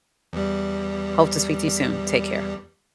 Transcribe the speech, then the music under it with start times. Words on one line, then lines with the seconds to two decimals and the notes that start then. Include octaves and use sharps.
hope to speak to you soon, take care.
0.33 E2 G3